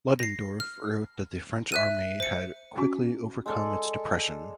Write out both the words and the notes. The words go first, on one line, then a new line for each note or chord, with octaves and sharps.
Ludendorff wrote that the French army had "quickly overcome its depression".
A#6 C7
F6
E5 F#6 D#7
C5 C#7
C#4 F#4 G#5
G#3 A4 D5